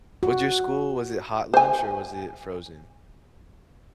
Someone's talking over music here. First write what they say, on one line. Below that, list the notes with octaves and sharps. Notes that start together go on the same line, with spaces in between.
Was your school, was it hot lunch or was it frozen?
F#4
C5 G#5